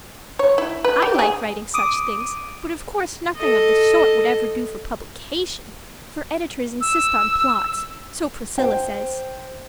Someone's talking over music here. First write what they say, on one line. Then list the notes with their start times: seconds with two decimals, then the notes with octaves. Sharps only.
I like writing such things, but of course nothing of the sort would ever do for publication, for editors insist on plots, so Priscilla says.
0.39 C#5
0.58 E4
0.84 B4
1.02 G4
1.19 G#4
1.74 D6 D#6 D7 D#7
3.36 A4 D#5
6.81 E6
8.58 C5 G5